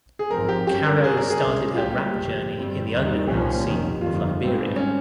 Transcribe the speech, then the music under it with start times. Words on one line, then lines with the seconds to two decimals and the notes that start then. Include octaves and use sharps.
Caro started her rap journey in the underground scene of Liberia.
0.19 G#4
0.30 G#1 G#2 F3 C4 A#4
0.48 G4
0.67 G2 G3 C#4 G4
0.86 A#4
1.04 G2 G3 C#4 G#4
1.17 A#4
1.30 G#4
1.41 C#2 C3 G3 C#4
1.74 F4
1.78 C#2 C#3 G3 A#3 G4
2.16 G1 F2 C3
2.53 G2 G3 C4
2.90 D#2 D#3 G3 C4
3.27 C2 A#2 F3 A#3 C#4 G4
3.65 F1 D#2 D#3
4.01 G1 F2 D#3 F4
4.39 G#1 G#2 G3 C4
4.76 C#4